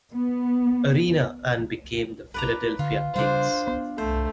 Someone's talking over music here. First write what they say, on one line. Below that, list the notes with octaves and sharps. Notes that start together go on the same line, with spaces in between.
Arena and became the Philadelphia Kings.
B3
B4 D5 A#5
D3 F4
C#3 G3 D4 F4 C5
B3
A3 C5